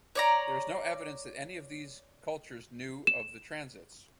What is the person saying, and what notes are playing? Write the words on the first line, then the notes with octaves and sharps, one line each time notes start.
There is no evidence that any of these cultures knew of the transits.
C#5 D5 A#5
E7